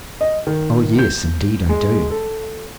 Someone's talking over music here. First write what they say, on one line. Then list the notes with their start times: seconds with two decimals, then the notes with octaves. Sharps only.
"Oh, yes, indeed I do!"
0.21 D#5
0.47 D#3
0.98 G6
1.69 G#3
2.10 A4